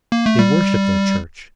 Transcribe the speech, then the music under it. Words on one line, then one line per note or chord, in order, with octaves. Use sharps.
They worship their church.
A#3
A3
G3